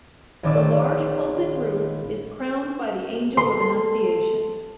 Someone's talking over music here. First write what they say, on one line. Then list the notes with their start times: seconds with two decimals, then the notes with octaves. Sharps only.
The large pulpit roof is crowned by the Angel of Annunciation.
0.43 A#1 D#3 C#4 D5 D6 E6
3.37 A4 C6